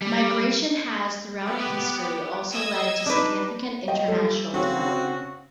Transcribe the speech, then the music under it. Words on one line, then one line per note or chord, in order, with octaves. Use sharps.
Migration has throughout history also led to significant international development.
G3
B3 G4
D#5 E6 G#6
D4 D#4 B4
D#5 G5
G3 A4
C#3 C4 C#4 F#4